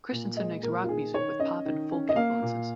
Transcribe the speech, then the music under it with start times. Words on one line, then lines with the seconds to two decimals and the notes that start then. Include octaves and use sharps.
Christensen makes rock music with pop and folk influences.
0.12 A#2
0.37 G#3 D#5
0.62 A#2 A#4
0.84 F4
0.89 D#3 G#4
1.14 D#3 C#5
1.39 C#4 D#5
1.65 D#3
1.91 C#4
2.09 D#5
2.16 A#3 F5
2.42 A#2